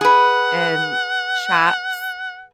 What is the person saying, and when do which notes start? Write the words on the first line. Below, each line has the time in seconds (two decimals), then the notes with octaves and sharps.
And shops
0.01 G#4 B4 F#5